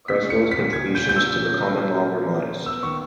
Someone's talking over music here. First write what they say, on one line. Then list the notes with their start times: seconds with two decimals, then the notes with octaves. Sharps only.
Cresswell's contributions to the common law were modest.
0.08 A#2 B6
0.25 C#4
0.30 C#7
0.41 C#4
0.51 B6
0.57 A#2
0.73 A#2 G#6
0.89 A#2
0.95 G6
1.05 A#2 G6
1.16 A#2 E6
1.37 C#4
1.54 C#4
1.70 C#4
1.86 A#2
2.02 C#4
2.19 A#3
2.34 A#3
2.50 A#3
2.66 B3 E6
2.83 D#3 C#6